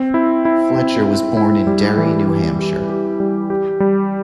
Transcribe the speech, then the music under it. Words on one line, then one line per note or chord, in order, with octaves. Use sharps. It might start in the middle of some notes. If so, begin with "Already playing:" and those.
Fletcher was born in Derry, New Hampshire.
Already playing: C4
E4
E4
C4
E4
E4
G3
E3
E3
G4
G4
G3
G4
G3